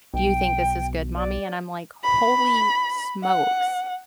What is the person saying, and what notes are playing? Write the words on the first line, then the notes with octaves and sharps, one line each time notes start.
"Do you think this is good, mommy?" And I'm like, "Holy smokes.
B1 G5
D5
B5
F#5